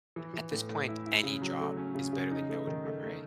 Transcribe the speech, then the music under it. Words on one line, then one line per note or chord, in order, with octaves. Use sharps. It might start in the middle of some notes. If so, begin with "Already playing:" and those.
at this point, any job is better than no job, right?
E3
E3
A2
A2
E4
E4
C#3
F#3
A3
C#4
C#3
C#3
D#4
A3
D#3
A3
A3